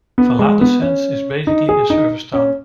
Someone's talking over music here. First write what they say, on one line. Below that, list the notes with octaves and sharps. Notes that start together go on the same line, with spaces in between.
Viladecans is basically a service town.
B3
G#3
B3
C#4
D#4
G#4
D#4
C#4